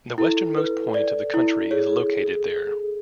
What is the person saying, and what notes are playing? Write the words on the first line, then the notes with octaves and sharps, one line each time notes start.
The westernmost point of the country is located there.
E4 A4
B4
D5
E4
G#4 C#5